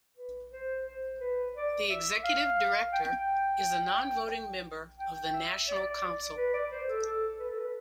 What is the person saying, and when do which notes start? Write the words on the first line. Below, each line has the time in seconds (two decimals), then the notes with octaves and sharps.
The Executive Director is a non-voting member of the National Council.
0.17 B4
0.52 C5
0.86 C5
1.20 B4
1.55 D5
1.89 E5
2.24 F5
2.93 G5
3.09 G5
4.99 G5
5.33 E5
5.68 D5
6.37 B4
6.53 D5
6.71 C5
6.88 A4
7.05 A4
7.39 B4
7.49 A4
7.59 B4